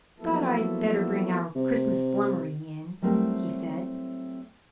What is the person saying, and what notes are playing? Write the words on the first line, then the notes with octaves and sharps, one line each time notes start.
"Thought I'd better bring our Christmas flummery in," he said.
F3 F#3 A#3 B3 E4 A4
C3
F#3 G3 A3 C4 E4 A#4